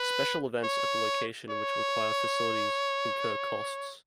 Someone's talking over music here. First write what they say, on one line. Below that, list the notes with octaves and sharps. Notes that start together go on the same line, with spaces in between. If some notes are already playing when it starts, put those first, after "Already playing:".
Special events at the location which require facilities incur costs.
Already playing: B4
C#5
C#5